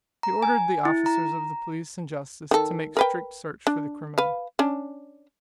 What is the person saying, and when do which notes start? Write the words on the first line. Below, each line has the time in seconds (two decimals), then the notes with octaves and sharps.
He ordered the officers of the police and justice to make strict search for the criminal.
0.23 A#5
0.43 G#5
0.85 E4
1.06 A#5
2.51 D#3 A4
2.97 A#4 B4 G5
3.67 D4
4.18 B4 F5
4.59 C#4 D4